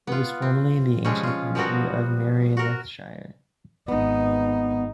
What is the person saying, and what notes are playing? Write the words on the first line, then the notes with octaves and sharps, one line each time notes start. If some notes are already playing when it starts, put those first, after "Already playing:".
It was formerly in the ancient county of Merionethshire.
B3 F4
C4
C#3 F3 G3 G#3 C4 C#4
C#4 F4
F3 G3 B3 C4 F#4 A#4
F#4 A#4
G#1 B3 D#4